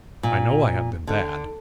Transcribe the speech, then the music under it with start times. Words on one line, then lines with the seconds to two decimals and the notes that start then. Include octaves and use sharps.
I know I have been bad.
0.23 A#2
1.07 D3